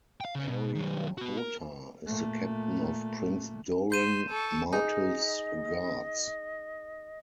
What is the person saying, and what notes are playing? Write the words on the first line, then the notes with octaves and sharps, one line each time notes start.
Areo Hotah is the captain of Prince Doran Martell's guards.
F5 G5
C#3 C#4
B2
D#3 F#3
B3 F#4
A#4
A#2 A3
C6 G6 B6 D#7 E7
A4 C#6
D#4 G#4 D#5 G#5